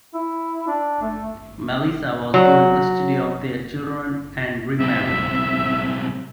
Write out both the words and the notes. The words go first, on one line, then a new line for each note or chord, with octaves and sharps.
Melissa was given custody of their children and remarried.
E4
D4
A3
F#3
B1 C4 E5